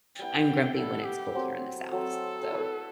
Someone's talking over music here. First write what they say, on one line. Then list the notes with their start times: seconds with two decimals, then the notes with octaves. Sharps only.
I'm grumpy when it's cold here in the South, s so
0.19 G3 B3 E4 G5
0.76 G3 B3 E4 A4
1.06 G4
1.34 F#3 A3 C4
1.92 F#3 A3 C4 A4
2.50 A3 E4 B4 E5